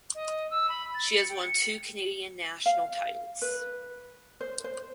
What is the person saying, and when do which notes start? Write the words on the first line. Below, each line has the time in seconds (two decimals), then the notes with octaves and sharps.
She has won two Canadian National titles.
0.15 D#5
0.51 E6
0.69 B5
0.94 A6
1.09 C#7
1.29 G5
1.43 C#7
2.66 F5
3.42 B4
4.41 C5
4.64 C5